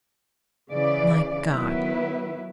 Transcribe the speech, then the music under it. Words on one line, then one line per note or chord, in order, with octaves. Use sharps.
My God!
C#3 E3 D5
D#3 F#3 B3 E4 B4